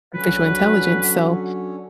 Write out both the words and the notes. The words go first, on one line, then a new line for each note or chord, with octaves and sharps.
artificial intelligence, so,
D3 F#3 C#4 B4